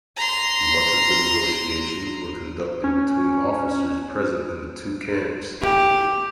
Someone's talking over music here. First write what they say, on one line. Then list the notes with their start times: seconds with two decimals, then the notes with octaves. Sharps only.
Much of the negotiations were conducted between officers present in the two camps.
0.17 A#5 C6
2.84 C#4
5.62 G4